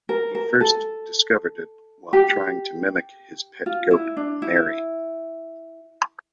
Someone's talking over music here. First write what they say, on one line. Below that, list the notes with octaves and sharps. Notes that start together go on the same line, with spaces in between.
He first discovered it while trying to mimic his pet goat Mary.
A#4
A#4
A4
G4
F4
E4
D4
E4